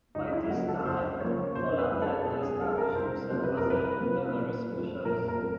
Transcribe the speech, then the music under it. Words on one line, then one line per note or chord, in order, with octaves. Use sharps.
By this time, Holland had established himself as a gunnery specialist.
C#2 D#4
E4
C#3 F3 A#3 F#4
A4
C#2 C5
C#3 F3 A#3 C#5
B2 C5
B4
G#3 C4
A4
B2 G#4
G#4
G#3 C4 A4
A#4
C2 C5
C3 F3 A#3 C5
B4
A#4
C2 B4
C3 F3 A#3
A#2
F3 A3 C4
A#2 A#4
A#4
A3 C4